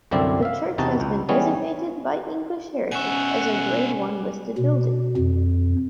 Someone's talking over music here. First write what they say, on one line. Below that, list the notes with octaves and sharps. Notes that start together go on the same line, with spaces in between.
The church has been designated by English Heritage as a Grade One listed building.
C2 F#2 D3 C4 E4 D5
E5 F5
E2 C3 D#4 F#4 A5
C#2
E3 G3 B3 C#4 G#4
B2 C#4 E5 F#5 G#5
B2
F2